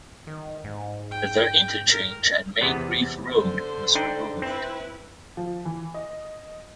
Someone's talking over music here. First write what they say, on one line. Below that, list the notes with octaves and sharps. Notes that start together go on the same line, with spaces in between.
The interchange at Main Reef Road was removed.
D#3
G#2
G5
A#4
E2 C3 B3
D3 C5
D4 D#4 G5
C4 E4 B4
F3
E3
D#5